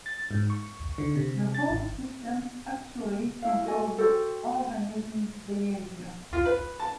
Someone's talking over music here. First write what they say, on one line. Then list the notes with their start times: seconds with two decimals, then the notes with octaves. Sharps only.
The whole system actually controls the organism's behavior.
0.06 A6
0.31 G#2
0.50 C#6
0.98 D3
1.16 C3
1.55 A6
1.69 G#1
3.42 E4 F5
3.64 F#4 A4 D#5 G#5
3.98 F#4 A4 C5 G5
6.33 F4
6.46 B4
6.80 A5